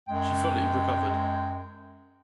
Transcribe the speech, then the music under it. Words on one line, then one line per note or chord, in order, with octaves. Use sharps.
She fully recovered.
F#2 G#3 G5